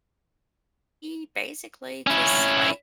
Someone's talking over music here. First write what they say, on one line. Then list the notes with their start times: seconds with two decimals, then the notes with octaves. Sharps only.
he basically just like
2.07 C#4 E4